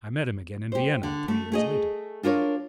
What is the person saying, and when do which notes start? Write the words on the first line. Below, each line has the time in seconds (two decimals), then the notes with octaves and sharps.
I met him again in Vienna three years later.
0.72 G4 C5
1.03 D3
1.28 A3
1.52 A3 G#4 D#5
2.23 D4 F4 A#4 C#5